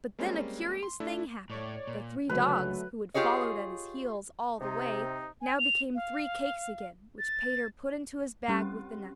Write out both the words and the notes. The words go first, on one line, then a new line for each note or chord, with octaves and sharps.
But then a curious thing happened; the three dogs, who had followed at his heels all the way, now became three cakes again, which Peter put into his bag with the napkins.
G3 G#3 A#3 C4 C#4
C6
A3 D4 E4 E5
A2 C#5 D5
A#2
C#2 D3 F#3 A3 B4
F4 G4 G#4 C#5 D#5
C3 D#4
G#5
F7
F5
A6
G3 C4 C#4 G4